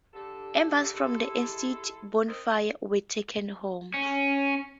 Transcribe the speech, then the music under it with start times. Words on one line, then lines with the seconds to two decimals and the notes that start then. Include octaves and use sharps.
Embers from the extinct bonfire were taken home.
0.14 D3 G4 A4
0.92 G#3 E4 A4
2.26 C4 D#4 A#4
3.94 C#4